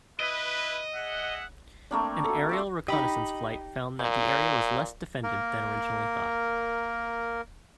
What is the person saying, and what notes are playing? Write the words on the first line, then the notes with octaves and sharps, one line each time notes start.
An aerial reconnaissance flight found that the area was less defended than originally thought.
E4 B4 D#5
G#4 E5 F#5
A3 A#3 C4 D4
F#4 A4
D5 E5 C6
D#4 G4 D#5 B5
A#2
A#3 A#4